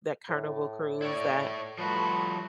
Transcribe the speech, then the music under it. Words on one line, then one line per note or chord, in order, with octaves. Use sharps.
that Carnival cruise that
A2
E4 C#5 D5
F3 G3 A3 F#4 B4